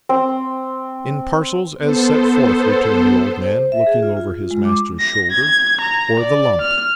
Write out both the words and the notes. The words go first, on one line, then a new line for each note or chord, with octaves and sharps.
'In parcels as set forth,' returned the old man, looking over his master's shoulder; 'or the lump.'
C4
B3 A4 C5
C5
E5
G#4
F4
F4
F4
G#3
D6
A#6
G#6
A#5
D5
F6